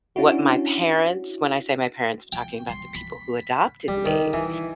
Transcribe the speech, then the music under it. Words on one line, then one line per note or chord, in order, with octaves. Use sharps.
what my parents when I say my parents, I'm talking about the people who adopted me.
C#4 D4 E4 F#4
G5
C6
B5
G3
D#3
E3